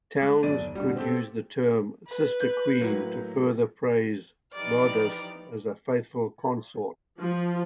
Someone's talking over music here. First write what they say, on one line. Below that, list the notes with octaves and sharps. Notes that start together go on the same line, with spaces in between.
Towns could use the term "sister-queen" to further praise Laodice as a faithful consort.
G#3 D6 F#6
G1 F#3 G#3 D5 D#7
D#2
F#1 B2 D3 G3
A#2 C4 G4 A4
B4
G6
A2 F#3 A#3
E3 F3 D#4 G4 D5 F6
F3